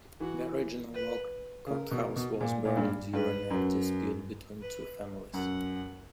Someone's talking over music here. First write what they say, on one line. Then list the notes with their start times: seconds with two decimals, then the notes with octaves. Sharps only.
The original log courthouse was burned during a dispute between two families.
0.20 E3 F#4
0.94 B4
1.66 C#3 A#4
1.91 B2
2.16 B2
2.40 A#2
2.65 A#2
2.77 G2
3.13 G2 B4
3.50 F#2
4.61 B4
5.34 F#2 F#5